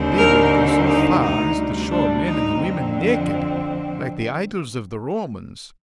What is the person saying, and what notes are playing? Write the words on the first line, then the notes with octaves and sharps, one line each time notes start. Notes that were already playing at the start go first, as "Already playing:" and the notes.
They will go so far as to show men and women naked like the idols of the Romans.
Already playing: D#2 D3 G3 C4
A#4
D#4
D2 C3 G3 D#4
D4
D#4
F2 D3 F3 C4